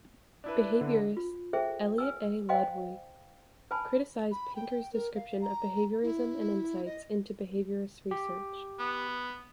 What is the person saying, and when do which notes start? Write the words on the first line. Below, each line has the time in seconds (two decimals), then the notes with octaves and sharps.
Behaviorist Elliot A. Ludvig criticized Pinker's description of behaviorism and insights into behaviorist research.
0.44 D4 E4 B4
0.81 D3
1.17 F4
1.53 G#4 A4 C5 E5 G5
1.98 B4 G#5 E6
2.49 C5 D#5 F5 G5 G#5 C6
3.71 B4 G#5 A5 B5
4.31 B5
4.55 G5
4.92 A#4
5.15 F5
5.41 A#5
6.02 E4
6.85 D#5
8.11 G4
8.79 B3